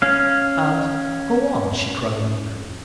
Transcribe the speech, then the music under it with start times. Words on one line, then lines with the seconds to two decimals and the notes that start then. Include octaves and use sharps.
And--'Go on,' she cried eagerly.
0.02 C#4 F5